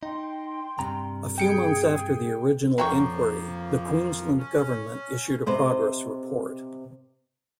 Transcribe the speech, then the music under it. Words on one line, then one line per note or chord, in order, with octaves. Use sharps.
A few months after the original Inquiry, the Queensland Government issued a progress report.
D#4 G5 C6
G2 C3 A#5
G#4 G5 C#7 D7
F2 F3 F#3 A#3 G5 C#6
C#4
C3 B4 C5 D#5